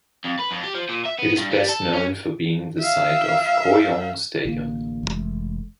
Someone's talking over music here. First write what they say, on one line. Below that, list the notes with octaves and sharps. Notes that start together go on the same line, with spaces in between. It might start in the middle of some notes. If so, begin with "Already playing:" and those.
It is best known for being the site of Kooyong Stadium.
F2
B4
F2
G4
F3
A#2
E5
B3
G2
G3
A4
C#4
E5 F5
A1 D3 A#3
F1 E3 G#3 A3